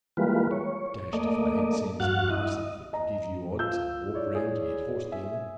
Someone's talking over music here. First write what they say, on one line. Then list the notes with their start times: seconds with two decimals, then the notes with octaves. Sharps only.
'Dashed if I ain't seen some parsons that could give you odds and walk round ye at horse-dealin'.'
0.17 E3 G3 G#3 A#3 F4 B4
0.51 C#5
1.13 A3 A#3 D5 D#5
2.00 G2 F#4 F5 F#5 F#6 A6
2.30 E4 D#5
2.57 D#5
2.93 D#5 A#5
3.59 F4 F5 E6 G6
4.14 E4 C#5 D5
4.35 G#4
5.12 E5 G#5